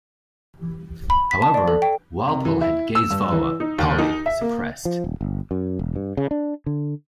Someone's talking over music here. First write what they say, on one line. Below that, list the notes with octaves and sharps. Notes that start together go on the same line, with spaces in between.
However, Walpole had Gay's follow up, "Polly", suppressed.
B5
B6
A5
D5
A4
G5
C3
E3
E4
E6
G2
E3
D#4
D#2
D#4
E5
A#3
F3
D#1
G1
F#2
E1
G2
C#3
D4
D3